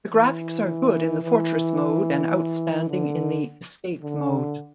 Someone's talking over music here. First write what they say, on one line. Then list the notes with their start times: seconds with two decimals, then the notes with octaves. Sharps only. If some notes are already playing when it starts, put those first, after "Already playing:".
The graphics are good in the "Fortress" mode and outstanding in the "Escape" mode.
0.12 E3
1.23 E3
2.90 D3
4.01 D3